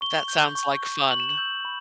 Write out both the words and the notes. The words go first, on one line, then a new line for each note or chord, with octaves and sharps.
That sounds like fun.
C#6 G7
G6
C#6
G6
C#6 F#7
E7
F#7
E6 G6
B5